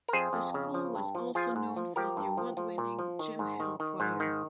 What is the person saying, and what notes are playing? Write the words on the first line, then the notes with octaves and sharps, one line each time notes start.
The school was also known for the award winning Jim Hill Choir.
A#4
F2 G#4 C5
F2
C#3
F3
G2
F3
F3 F4 G#4
G#2
F3
F3 G4 A#4
G2
F3
F3
A#2
F3
D#3
G#2
D#3
D#3
G#2
D#3